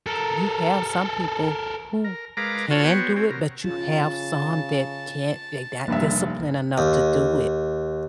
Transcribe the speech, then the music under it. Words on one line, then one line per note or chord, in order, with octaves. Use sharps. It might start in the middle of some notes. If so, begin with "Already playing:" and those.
you have some people who can do it, but you have some that can't, they not disciplined enough to do it.
A4 A#4
A#4
G#3 A#4 B4 F5 A#5 D6
F4 F#4 A4 C#5
B3 F#4 C5 C#5 G5
C4 F#4 C#5
C3 A#4
C#3 F4 A5
F1 G2 A#3 E5
D#2